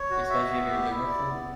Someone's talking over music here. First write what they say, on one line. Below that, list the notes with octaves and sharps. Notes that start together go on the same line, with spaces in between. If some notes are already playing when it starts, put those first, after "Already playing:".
Especially if you're a germaphobe.
Already playing: C#5
F#4
E5
B3
G4
E4
D5
B3